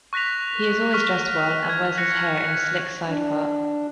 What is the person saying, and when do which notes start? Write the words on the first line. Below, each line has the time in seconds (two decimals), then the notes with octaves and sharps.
He is always dressed well and wears his hair in a slick sidepart.
0.13 C#6 F#6 A#6 B6 F7
0.93 C#6 F6 B6
1.69 G#6
1.98 F#6 A#6 C#7
3.08 D4